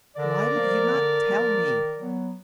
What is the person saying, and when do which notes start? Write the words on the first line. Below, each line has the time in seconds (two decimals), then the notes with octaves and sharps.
"Why did you not tell me?"
0.16 D3 A#4 D5
0.53 F3 A#3
0.89 D3
1.25 F3 A#3
1.61 D#3
1.97 F#3 B3